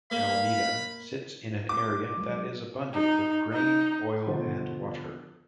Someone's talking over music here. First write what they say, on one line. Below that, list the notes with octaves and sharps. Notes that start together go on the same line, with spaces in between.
Alameda sits in an area that is abundant with grain, oil and water.
A#3 F5 B5
D6
F#3 G#3
D#4
D#4
B2 D3 F3 C5